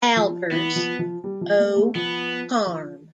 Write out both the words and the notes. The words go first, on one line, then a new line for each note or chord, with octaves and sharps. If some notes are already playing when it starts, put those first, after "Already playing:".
Albers, O. Carm.
F3
E3 B3
F3
F3
G3
F3
A3
A3
F3 B3
F3